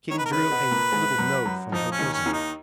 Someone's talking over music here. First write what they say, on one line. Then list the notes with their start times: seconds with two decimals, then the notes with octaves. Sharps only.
Kitty drew a little note from her bosom.
0.11 D#3 D#4 C#5
0.18 B4
0.26 A#4
0.31 C#3 C#4 B4
0.51 B2 B3
0.71 A#2 A#3
0.92 G#2 G#3
1.18 F#2 F#3
1.45 F#2 F#3
1.72 F2 F3 D#4
1.92 C#4
1.99 D#2 D#3
2.13 C#4
2.26 D#2 D#3
2.33 D#4